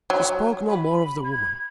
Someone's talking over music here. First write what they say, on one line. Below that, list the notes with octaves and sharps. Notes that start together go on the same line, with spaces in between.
She spoke no more of the "woman."
F#3
B5
G#6